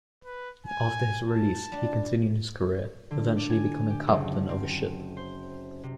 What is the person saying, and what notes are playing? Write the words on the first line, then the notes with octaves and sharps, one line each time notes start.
After his release he continued his career, eventually becoming captain of a ship.
B4
G#5
A5
G3 D4
D3
D5
G#5
G4
F#1
C4
C5
C3